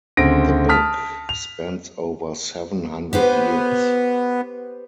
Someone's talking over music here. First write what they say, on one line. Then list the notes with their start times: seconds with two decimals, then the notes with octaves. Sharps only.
The book spans over seven hundred years.
0.17 D2 C#3 C4 A#6 D7
0.69 A5 D#6 F6 B6
1.29 F7
3.13 B3 G4 B4 C5